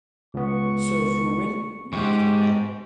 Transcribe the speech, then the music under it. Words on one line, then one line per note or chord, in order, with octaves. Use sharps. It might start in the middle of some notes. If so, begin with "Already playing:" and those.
So Reuben moved her bed.
C#2 B3 C#6
E2 G#2 G4 C#6